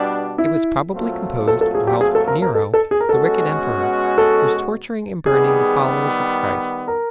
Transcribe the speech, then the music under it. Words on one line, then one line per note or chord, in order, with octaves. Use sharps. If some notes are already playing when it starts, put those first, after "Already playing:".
It was probably composed whilst Nero, the wicked Emperor, was torturing and burning the followers of Christ.
Already playing: B2 G3 B3 D4
E4
A#2 F#3 A3 C4 F4
A4
A4
G#4
G4
G#4
A4
A#4
A#4
A4
A4
G#4
A#4
B2 G#3 C#4 F#4 A4
A4
D#3 G3 B3 G#4
A#4